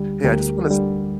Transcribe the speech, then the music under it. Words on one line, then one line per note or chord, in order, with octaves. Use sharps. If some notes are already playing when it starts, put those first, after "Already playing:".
Hey, I just wanna s
Already playing: D2 D3 G3 G4
D2 G4 A#4
D3 G3